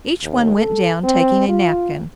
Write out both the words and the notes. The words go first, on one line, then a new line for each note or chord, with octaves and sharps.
Each one went down, taking a napkin.
D#2
A4
C4
F4